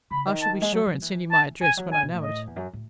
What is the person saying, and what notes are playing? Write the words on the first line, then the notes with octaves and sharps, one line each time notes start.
I shall be sure and send you my address when I know it.'
C#3 B5
D#3
A5
G#3
F#3
F#3
E3
A5
E3 G#5
F#3
C#3 G#5
B2
A2
D#5
E2
F#2
A2